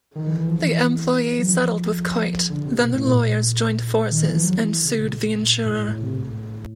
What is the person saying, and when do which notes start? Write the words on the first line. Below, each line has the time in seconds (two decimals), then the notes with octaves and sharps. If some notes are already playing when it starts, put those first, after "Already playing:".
The employee settled with Coit; then their lawyers joined forces and sued the insurer.
0.15 D#3
0.27 E3
0.37 E3
0.48 F3
0.60 E3
1.39 F#3
1.47 F3
2.50 D3
2.65 C3
2.80 B2
2.94 A2
3.01 A#2
4.11 D#3
4.23 E3
4.33 F3
4.44 F#3
4.55 E3
4.85 C#3
5.00 A#2
5.43 A#2
5.66 A2
5.88 A2
6.02 C3
6.17 A2
6.32 A2